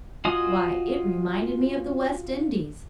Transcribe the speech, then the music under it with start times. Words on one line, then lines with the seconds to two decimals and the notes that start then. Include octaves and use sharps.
Why, it reminded me of the West Indies.
0.25 F4 F#4 D#5 G#5 D#6